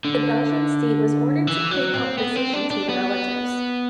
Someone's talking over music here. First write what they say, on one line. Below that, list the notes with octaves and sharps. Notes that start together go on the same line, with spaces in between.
The Belgian state was ordered to pay compensation to the relatives.
D3
E3
F#3
C4
B3
C4
D4
D4
B3